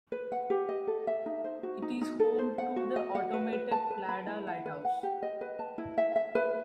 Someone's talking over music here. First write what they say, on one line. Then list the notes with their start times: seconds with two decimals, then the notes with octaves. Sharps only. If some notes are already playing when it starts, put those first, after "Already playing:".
It is home to the automated Pladda Lighthouse.
0.12 B4
0.32 F#5
0.50 G4
0.69 D#5
0.87 A4
1.07 E5
1.26 D#4
1.44 C5
1.63 F#4
1.82 D#4
2.01 D#4
2.19 A4
2.38 C5
2.58 F#5
2.76 F#4
2.96 D#5
3.15 F#5
3.33 B4
3.53 B4
3.71 A5
3.90 B4
4.09 B5
4.27 E4
4.47 F#5
4.66 B4
4.85 F#5
5.03 G4
5.23 D#5
5.41 B4
5.59 A5
5.78 E4
5.98 E5
6.16 E5
6.35 B4